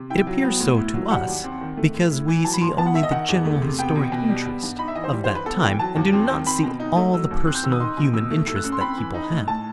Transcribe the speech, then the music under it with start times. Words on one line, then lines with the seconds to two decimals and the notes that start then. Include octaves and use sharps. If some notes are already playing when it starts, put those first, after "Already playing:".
It appears so to us because we see only the general historic interest of that time and do not see all the personal human interests that people had.
Already playing: C3
0.10 E4 G5
0.27 F#3
0.44 B3
0.60 A2
0.77 E4
0.94 F#3
1.11 G3 F#5
1.27 D#2
1.44 C4
1.61 D#3
1.77 A3
1.94 A2
2.11 E4
2.28 E3
2.45 F#3 A5
2.53 B5
2.61 D#2 C6
2.78 B3 A5
2.86 F#5
2.95 D#3 E5
3.03 D#5
3.11 D#3 F#5
3.28 E2
3.45 A3
3.62 C3
3.78 B3 G5
3.96 B2
4.12 B2
4.29 G3
4.46 B3
4.63 G2
4.79 D#4 B5
4.88 E5
4.95 E3 D#5
5.04 C5
5.13 G3
5.24 C5
5.29 G2
5.35 B4
5.46 B3 A4
5.63 E3 G5
5.79 F#3 A5
5.96 D#2
6.13 C4
6.30 D#3
6.46 C4 B5
6.63 B2
6.80 D#4
6.96 A3
7.13 F#3 E6
7.31 D#2
7.47 C4 F#6
7.55 G6
7.63 D#3 E6
7.72 D#6
7.80 D#4 C6
7.97 B2
8.13 B2 E6
8.31 A3
8.47 A3 E6
8.56 F#6
8.64 F#2 E6
8.72 C6
8.81 C4 B5
8.97 E3
9.14 D#4
9.31 A2
9.47 A2 A5